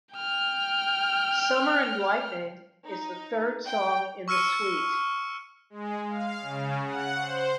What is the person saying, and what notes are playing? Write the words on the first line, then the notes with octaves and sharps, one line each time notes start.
"Summer and Lightning" is the third song in the suite.
G5 F6
D#4
G5
C#6 E6 F6 C#7 D#7
G#3
F5
C#3
F#5
C5